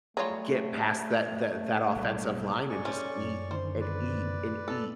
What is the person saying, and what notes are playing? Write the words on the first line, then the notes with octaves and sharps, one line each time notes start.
get past that that that offensive line and just eat and eat and eat.
F#3 G3 A3 F4 G#4 C#5
B1 A#2 G3
G#3 D5 G#5 C#6
C#4 A4 C5
F#2
D3 D#3 C5
B4 D5
A4